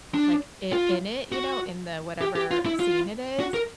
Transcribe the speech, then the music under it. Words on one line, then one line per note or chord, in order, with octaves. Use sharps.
like, it in it, you know, in the whatever scene it is,
D4
F4
F#4
G4
G4
F4
E4
F4
F#4
A#4